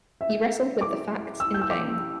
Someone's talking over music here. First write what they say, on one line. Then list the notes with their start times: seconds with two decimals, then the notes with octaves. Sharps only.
He wrestled with the facts in vain.
0.21 E5
0.81 D6
1.40 E6
1.54 G6
1.61 E6
1.70 D6